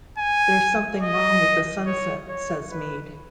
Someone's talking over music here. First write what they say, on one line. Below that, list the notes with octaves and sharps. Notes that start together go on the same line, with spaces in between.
"There's something wrong with the sunset," says Meade.
G#5
D#5
C#5
C#5
B4